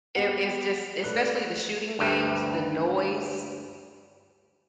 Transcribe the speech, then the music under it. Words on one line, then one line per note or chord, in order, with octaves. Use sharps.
It it's just especially the shooting games, the noise
G#3 B3 G4 F#5
A3 B4 D5 F#6 G7
D2 G2